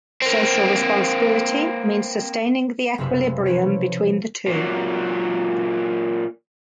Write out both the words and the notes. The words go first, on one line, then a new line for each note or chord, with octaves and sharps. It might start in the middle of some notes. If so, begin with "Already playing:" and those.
Social responsibility means sustaining the equilibrium between the two.
A#3 C4
F#1 C3 F4 B4 E5 C7
F3 E4 B4 C#5
A#2 F#3